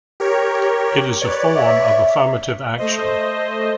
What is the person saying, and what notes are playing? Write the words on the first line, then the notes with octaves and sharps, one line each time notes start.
It is a form of Affirmative action.
G4 A#4 C#5
B4 C#5 D5
E5
A3 C5 D#5